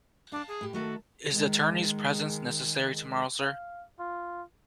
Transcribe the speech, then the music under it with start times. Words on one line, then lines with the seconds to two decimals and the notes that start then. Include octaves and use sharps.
Is the attorney's presence necessary tomorrow, Sir?
0.32 D4 F5 A5
0.48 G#4
0.61 A2 G4
0.73 D#3 A3 F#4 A4
1.30 D#3 G#3
3.42 F5
3.99 F4